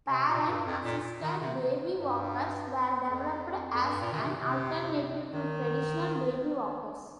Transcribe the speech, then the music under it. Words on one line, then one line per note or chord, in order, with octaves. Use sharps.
Parent-assisted baby walkers were developed as an alternative to traditional baby walkers.
C3
A#2
G2
F2
A#2
D#3
C3
G2
F2
F2
G2
A#2
D#3
C3
C3
D#3